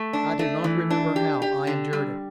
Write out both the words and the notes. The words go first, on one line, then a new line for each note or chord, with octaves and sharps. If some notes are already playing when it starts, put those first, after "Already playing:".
I do not remember how I endured it.
Already playing: A3
D4
A3
E3
D4
G4
G4
D3
G3